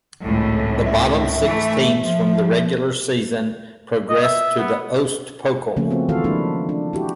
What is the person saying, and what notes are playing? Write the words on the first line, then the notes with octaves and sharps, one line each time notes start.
The bottom six teams from the regular season progressed to the Ost Pokal.
G#1 C#2 A2
E5
E3 A3
F3
D#5
E5
B3
C#3 F3 A3 A#3 C#4
B3 C4 F#4
D#3 E3 F4 F#4 A4 F5
F3 G#3 A#3 D4 E4
D4
E4 F#4 G4